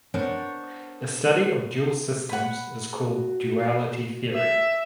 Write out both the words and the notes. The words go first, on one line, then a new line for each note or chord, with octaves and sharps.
The study of dual systems is called duality theory.
B3 D4 A#4 C5 C#5
F#5 B5
F#4
E5